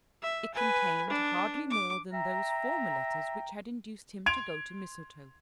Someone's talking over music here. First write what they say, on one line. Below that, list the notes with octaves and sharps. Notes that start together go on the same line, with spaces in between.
It contained hardly more than those former letters which had induced him to go to Mistletoe.
E5
B4 G#5
D4
D6
E5 G5 A#5
C6 G#6 D7 F7